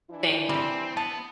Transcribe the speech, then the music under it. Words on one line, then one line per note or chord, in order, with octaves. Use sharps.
Same here.
E3 D4 E4
G3 C4
B3 A5